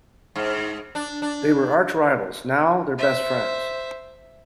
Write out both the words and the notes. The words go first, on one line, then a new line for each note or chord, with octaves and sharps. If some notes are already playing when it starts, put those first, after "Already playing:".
They were arch rivals, now they're best friends.
G#2
D4
D4
C5 E5